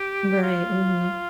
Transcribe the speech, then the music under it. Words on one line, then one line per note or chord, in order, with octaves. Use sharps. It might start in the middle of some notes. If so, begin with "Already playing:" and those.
Right, mhm.
Already playing: G4
F4